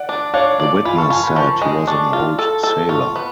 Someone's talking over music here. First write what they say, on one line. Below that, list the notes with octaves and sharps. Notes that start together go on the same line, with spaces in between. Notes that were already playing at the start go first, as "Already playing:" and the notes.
The witness said he was an old sailor.
Already playing: D5 F#5
D4
D4 C#5 F5
D5
F4 G#5 B5
A5 C#6
F4 F5 G#5
G#5 B5
F3 A5 C#6
G#3
D4 A5 C#6
F4
A4
A4
F4 A5 C#6
B3